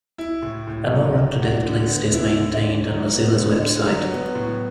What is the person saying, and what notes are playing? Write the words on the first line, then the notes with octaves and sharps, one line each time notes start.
A more up-to-date list is maintained on Mozilla's web site.
E4
A2
A2
F#3
D4
F#4
D3
B3
E4
D3
D3
F#3
B3
D3
D3
F#3
B3
A2